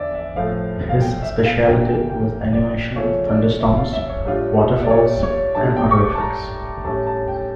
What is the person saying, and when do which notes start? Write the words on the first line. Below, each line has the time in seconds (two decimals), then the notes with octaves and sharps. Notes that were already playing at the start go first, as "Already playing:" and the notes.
His specialty was animation of thunderstorms, waterfalls and other effects.
Already playing: E2 D3 F3 D5 E5
0.15 E5
0.36 A2 F3 A3 F5
0.89 F5
1.01 G5
1.22 E5
1.45 F5
1.66 G2 E3 A#3 G5
1.87 G5
2.09 G5
2.53 D5
2.96 C#3 F3 A3 C#4 F4 C#5
3.28 D5
3.60 E5
3.77 F5
3.93 E5
4.09 C#5
4.25 A2 G3 D4 F4
4.75 E5
4.83 D5
4.90 C#5
5.23 C#5
5.55 A2 G3 D4 A5
5.76 G5
5.91 C#6
5.98 D6
6.15 A5
6.20 A#5
6.84 A2 G3 C#4 A5
7.06 A5
7.28 G5